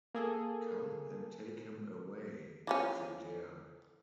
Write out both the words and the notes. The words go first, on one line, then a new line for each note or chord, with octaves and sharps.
Come and take him away, if you dare.
A#3 G#4 A4
E3 F3 C#4